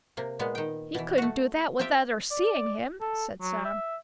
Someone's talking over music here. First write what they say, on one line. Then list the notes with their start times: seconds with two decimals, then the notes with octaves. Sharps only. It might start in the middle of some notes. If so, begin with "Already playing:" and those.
"He couldn't do that without our seeing him," said Sam.
0.17 C3 A#3
0.39 A#2 G#3 B3
0.55 D#3 G5
0.95 B2 E3
1.18 A3 F#4
1.79 C4 F4 G4 E5 G5
2.31 D5
3.01 A4
3.41 F#3
3.65 E5